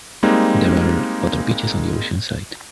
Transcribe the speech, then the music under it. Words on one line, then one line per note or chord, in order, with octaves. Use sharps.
There are other beaches on the ocean side.
G3 G#3 A#3 C4 D#4